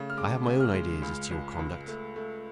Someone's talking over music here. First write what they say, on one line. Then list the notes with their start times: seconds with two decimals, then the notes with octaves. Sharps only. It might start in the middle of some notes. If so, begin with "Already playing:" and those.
"I have my own ideas as to your conduct."
Already playing: C#3 A3
0.10 F6
0.17 G#3 D6
0.46 C#3
0.60 F6
0.74 G#3
1.02 C#2
1.31 C#2
1.59 C#2
1.87 A3
2.16 A3